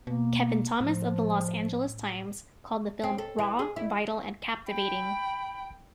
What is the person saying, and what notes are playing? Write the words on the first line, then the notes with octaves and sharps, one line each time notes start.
Kevin Thomas of the "Los Angeles Times" called the film "raw, vital and captivating".
B2 A#3
A2 F3
C4
A4
E3
G#4
E4
G5 B5